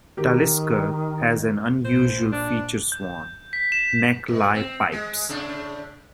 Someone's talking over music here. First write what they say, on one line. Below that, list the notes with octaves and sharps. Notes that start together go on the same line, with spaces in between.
Talisker has an unusual feature-swan neck lye pipes.
D#3 G4 A#4
A#1 C5
D4
G6
B6
E7
B2
C4
G#3
A2 C#3 D4